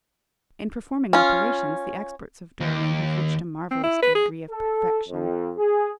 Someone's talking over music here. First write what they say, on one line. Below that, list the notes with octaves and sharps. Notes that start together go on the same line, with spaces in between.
In performing operations, the experts of Dore-lyn have reached a marvelous degree of perfection.
C#4 F4
D#2
C4
E4
B4
G#4
A4
F2
G#4